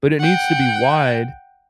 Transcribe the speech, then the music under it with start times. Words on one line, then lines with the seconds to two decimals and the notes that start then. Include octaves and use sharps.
but it needs to be wide
0.19 F#5 G5